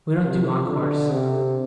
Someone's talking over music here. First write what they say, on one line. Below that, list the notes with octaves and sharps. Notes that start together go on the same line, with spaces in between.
We don't do encores.
C3
D3
C3